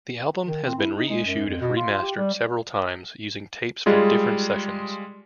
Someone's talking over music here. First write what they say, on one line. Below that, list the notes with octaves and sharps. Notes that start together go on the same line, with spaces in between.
The album has been re-issued remastered several times using tapes from different sessions.
D#3
C4
E4
D#4
G#3
F#2
F2
B2
F4
F4
G4
G3
G3 G#3 F4 G#4